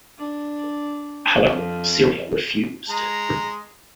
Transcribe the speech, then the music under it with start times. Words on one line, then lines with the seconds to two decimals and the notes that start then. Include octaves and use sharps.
However, Syria refused.
0.18 D4
1.47 F2
2.89 G#3 A#5